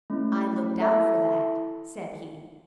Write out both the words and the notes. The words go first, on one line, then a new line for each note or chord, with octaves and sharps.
"I looked out for that," said he.
A3 C#4 E4
E4 A4 E5 A5